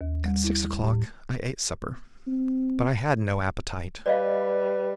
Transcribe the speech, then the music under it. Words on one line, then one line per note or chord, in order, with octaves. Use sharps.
At six o'clock I ate supper, but I had no appetite.
D#2
G3
E4
A2
C4
G3 B4 D5 D#5 F5